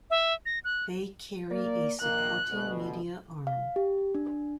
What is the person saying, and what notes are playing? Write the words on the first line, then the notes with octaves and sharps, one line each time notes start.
They carry a supporting media arm.
E5
A#6
F#6
A#3 A#4 D5
A#1 D#3 A#3 F#6
D2 B2
F5
G4
D4